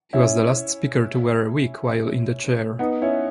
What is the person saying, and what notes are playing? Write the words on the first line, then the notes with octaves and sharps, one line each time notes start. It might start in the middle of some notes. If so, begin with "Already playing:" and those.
He was the last Speaker to wear a wig while in the chair.
C#4 E4
B3 D#4
C#4 E4